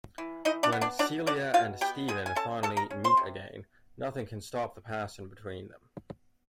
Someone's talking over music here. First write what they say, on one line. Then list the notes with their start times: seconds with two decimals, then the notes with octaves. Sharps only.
When Celia and Stephen finally meet again, nothing can stop the passion between them.
0.18 E3
0.45 E3 D#4 D#5
0.63 D4 D5
0.72 B3
0.81 D4 D5
0.99 B2 D4 D5
1.27 B2 D4 D5
1.54 B2 F4 F5
1.81 B3 G4 G5
2.08 G#3 G#4 G#5
2.26 G#5
2.35 C#4 A4 A5
2.63 G#3 A4 A5
2.77 A#4 A#5
2.90 C#4
3.04 C5 C6
3.17 C3